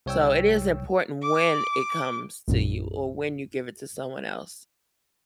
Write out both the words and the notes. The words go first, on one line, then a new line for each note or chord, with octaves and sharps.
so, it is important when it comes to you, or when you give it to someone else.
C2 C#5 G5 E6
D6
A#1 F#2 A#2